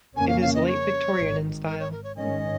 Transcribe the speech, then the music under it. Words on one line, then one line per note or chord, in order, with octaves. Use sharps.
It is Late Victorian in style.
F2 C#3 A#3 C#4 G#5
F5
F5
D#5
C#5
G#1 G#2 D#3
A#4
C#5
A#4
C#5
G#2 D#3 G#3 C#4 D#5